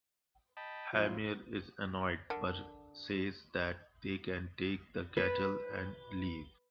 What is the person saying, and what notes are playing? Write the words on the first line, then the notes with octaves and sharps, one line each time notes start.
Hymir is annoyed but says that they can take the kettle and leave.
D#5 G5 A5 B5
F3 F#3 C4 E4 F4
D3 A#4 F#5
B4